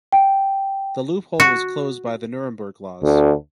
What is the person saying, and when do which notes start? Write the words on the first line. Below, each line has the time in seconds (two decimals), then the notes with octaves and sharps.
The loophole was closed by the Nuremberg Laws.
0.12 G5
1.40 F#4
3.03 D2